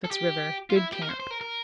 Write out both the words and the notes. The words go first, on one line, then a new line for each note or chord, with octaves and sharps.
Soot's River.--Good camp.
A4
G4
F4
E4
G4
A#4
C5
C5
A#4
A#4